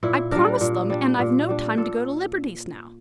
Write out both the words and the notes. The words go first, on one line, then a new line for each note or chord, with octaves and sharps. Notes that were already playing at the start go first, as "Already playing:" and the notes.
'I promised them, and I've no time to go to Liberty's now.'
A#2 E4
G3 D4 A#4
A#2
G3 D4
A#2
G3 D4
A#2 A4